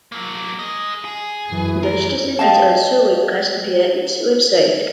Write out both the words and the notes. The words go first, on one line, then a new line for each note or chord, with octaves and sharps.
The station is also webcast via its website.
F#3 A#3
G#4 D#5
G#4
F#2 E3
A#4
G4 D#5 F5 A5